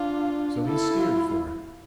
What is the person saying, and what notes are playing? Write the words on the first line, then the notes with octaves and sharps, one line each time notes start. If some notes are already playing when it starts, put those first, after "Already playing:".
So he steered for it.
Already playing: D4 F4
E4 A4
F4